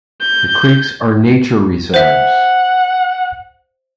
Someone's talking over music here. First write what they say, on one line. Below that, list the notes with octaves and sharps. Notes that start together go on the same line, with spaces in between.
The creeks are nature reserves.
G6
C5 E5 F#5